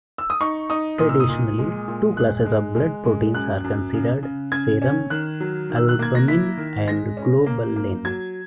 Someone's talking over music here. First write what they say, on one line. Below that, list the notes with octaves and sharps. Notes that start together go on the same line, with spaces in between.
Traditionally, two classes of blood proteins are considered: serum albumin and globulin.
E6
D#6
D#4 C#6
D#4 D#6
A#2 D#6
E6
D#6
A#2
G#3
A#2
G#3 F#6
G#3
G#3
G#3
F#2 F#6
F#2
C#3
C#3
C#3 G#6
C#4
D#3 F#6
F#3
D#3
E6
F#6
A#3 G#6
A#6
E4 B6
D#3
G#3 A#6
C#4
A#3
A#3
F#3 G#6